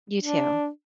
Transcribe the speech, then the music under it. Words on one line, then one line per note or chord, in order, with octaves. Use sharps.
You too.
D4